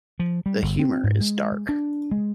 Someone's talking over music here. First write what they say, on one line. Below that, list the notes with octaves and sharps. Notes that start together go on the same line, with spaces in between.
The humor is dark.
F3
G3
G1
C4
G#2
G#3
D4
G#3